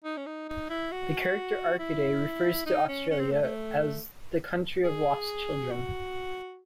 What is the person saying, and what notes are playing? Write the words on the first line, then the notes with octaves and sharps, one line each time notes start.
The character Arkady refers to Australia as "the country of lost children".
D#4
C#4
D#4
D#4
E4
F#4
E4
D#4
C#4
C#4
C4
A3
A3
G#4
F#4